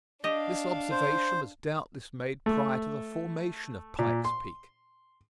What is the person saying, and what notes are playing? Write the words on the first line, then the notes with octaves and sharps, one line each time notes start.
This observation was doubtless made prior to the formation of Pike's Peak.
D4 G4 D#5 F5
C5
A3
A#2
C6